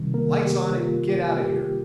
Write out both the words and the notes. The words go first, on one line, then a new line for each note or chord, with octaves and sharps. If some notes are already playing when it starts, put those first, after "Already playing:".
"Lights on and get out of here!"
Already playing: C3 D#3 G3
A#3 A#4
G4
F4
G4
G4